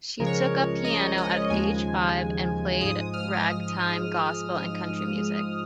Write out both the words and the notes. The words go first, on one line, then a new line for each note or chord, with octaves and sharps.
She took up piano at age five, and played ragtime, gospel, and country music.
C#2 C#3 F3 G#3 A#4
C#5
A#4
D#5
D#5
D#2 C#3 F3 G#3 G#5
G#2 F3 G#3 D#6
F6